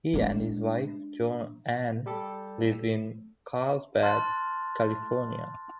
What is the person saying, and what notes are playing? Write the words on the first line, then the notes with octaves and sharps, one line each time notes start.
He and his wife JoAnn live in Carlsbad, California.
G#3 D4
G3 G4 A4
A5 C6 F6 F#6 A6